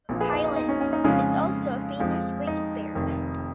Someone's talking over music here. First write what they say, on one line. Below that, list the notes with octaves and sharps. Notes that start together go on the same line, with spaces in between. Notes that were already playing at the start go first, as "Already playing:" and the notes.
Heylens is also a famous wig bearer.
A#1 A#2 F3
G#4 B4
D#4
D#4
D#4
C#4
C#4
D#4
F2 C#3 F3 G#3 C#4 F4
F2 F3 G#3
D#4
F1 F2 D#3